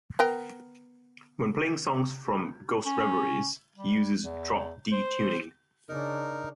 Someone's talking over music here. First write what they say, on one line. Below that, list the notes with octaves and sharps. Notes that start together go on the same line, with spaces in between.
When playing songs from "Ghost Reveries" he uses Drop D tuning.
B3 A#4 G5
C#4
G3
E2
C5
C#3 D4 D#4 A#4